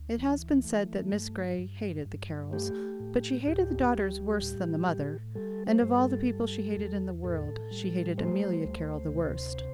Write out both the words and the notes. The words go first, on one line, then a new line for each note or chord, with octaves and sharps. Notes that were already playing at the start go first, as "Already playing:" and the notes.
It has been said that Miss Grey hated the Carrolls; but she hated the daughters worse than the mother, and of all the people she hated in the world she hated Amelia Carroll the worst.
Already playing: D2
E3
A3
G2
G2
G2
A3 G4
A2
D2 G4
G3
A2
A2
G3 A4
C5
G2
A4
G3
E2
A2 A4
G3
A3 C5
D2
C3